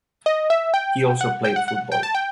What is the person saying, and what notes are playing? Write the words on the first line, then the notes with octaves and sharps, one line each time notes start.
He also played football.
D#5
E5
G5
F#5
G5
F#5
F#5
G5
A5
G5